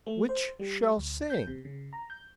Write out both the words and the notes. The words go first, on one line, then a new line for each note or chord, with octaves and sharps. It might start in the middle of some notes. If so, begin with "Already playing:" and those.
Which shall sing?'
A3
C5
G3
D2
G6
C3
C#3
A#5
G6